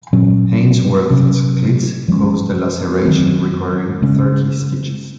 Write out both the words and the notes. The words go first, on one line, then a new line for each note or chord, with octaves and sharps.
Haynesworth's cleats caused a laceration requiring thirty stitches.
A#2 F#3 C#4
C3 F#3 C#4
F3 G#3 C#4
D#3 F#3 C4
C#3 G#3 C#4